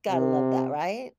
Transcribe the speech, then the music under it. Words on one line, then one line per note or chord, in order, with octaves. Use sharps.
Gotta love that, right?
C3